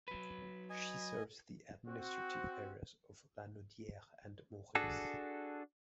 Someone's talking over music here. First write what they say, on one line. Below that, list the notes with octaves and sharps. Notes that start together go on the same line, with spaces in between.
She serves the administrative areas of Lanaudière and Mauricie.
F#3 B4
D#5 G#5
C4 F#4
D4 F#4 G#4 A4